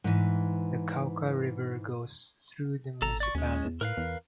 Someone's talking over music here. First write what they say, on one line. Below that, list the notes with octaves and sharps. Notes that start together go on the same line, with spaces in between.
The Cauca River goes through the municipality.
G#2 E3
G#1 A4 A#5
D5 C#6
D#2 G#3 C#4
E2
A2 A#4 B4 F5
E2